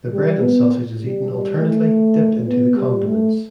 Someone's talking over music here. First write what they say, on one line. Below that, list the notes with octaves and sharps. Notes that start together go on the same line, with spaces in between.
The bread and sausage is eaten alternately, dipped into the condiments.
G3
B3
G3
G3
A3
B3
G3
A3